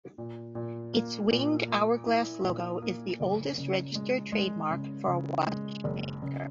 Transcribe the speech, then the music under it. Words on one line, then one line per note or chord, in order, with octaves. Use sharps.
Its winged hourglass logo is the oldest registered trademark for a watchmaker.
A#2
A#2
A#3
A#2
A#3
E4
A#2
A#3
F#1
C#3
G#3
G#3
C#3
C#3
G#3
F#1
C#3